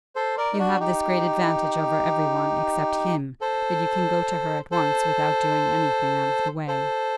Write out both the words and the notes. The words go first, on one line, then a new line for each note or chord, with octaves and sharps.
You have this great advantage over every one, except him, that you can go to her at once without doing anything out of the way.
A4 C5
A#4 D5
D#4
D4 F#4
D#4 G4
A4 C5
A4 C5
A4 C5